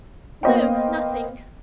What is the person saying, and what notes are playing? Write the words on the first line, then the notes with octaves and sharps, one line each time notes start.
'No, nothing.
A#3 B3 C5 D#5 F5 G5